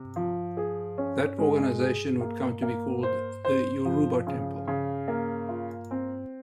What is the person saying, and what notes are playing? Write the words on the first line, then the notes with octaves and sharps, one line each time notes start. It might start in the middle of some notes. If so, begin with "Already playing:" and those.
That organization would come to be called the "Yoruba Temple".
Already playing: C3
F3
G#4
C#4
G#3
G#4
A#3
A#3
C5
C5
F3
C#3
C#3
A#3
F4
C4